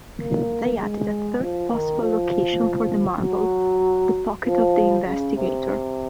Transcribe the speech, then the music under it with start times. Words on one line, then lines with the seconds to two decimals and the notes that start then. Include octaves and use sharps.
They added a third possible location for the marble: the pocket of the investigator.
0.19 A#3
0.79 G#3
1.40 F3
1.70 D#3
2.01 F3
3.23 F#3
4.44 F3
5.05 C#3
5.36 C3